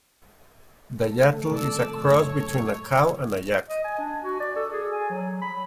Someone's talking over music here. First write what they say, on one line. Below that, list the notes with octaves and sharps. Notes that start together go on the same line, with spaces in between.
The yattle is a cross between a cow and a yak.
A3 A4
C3 D#3 F3 D5 E6
F#2 A2 C#5
D#5
G#5
D4
F#4
D5
A4
G#4
G#5
F#3
B5